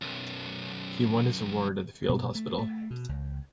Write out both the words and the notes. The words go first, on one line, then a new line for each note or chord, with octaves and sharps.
He won his award at the field hospital.
B1 F#2
B2
A3
A3
B2
C#2